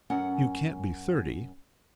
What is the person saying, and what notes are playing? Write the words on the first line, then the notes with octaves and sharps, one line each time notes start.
You can't be thirty?'
F#2 C#4 F#5